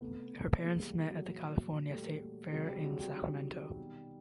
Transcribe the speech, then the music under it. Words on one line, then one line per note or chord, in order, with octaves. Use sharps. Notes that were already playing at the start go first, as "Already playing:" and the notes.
Her parents met at the California State Fair in Sacramento.
C3 A3 B3
C3
E3 G#3 A#3
G3
E3 G3
F#3 G#3
A#2
A#2
A#2 G3 A3
A#2
C3 F#3 G#3
G3
C3 F#3 G#3
G3
D#3
D#3
B2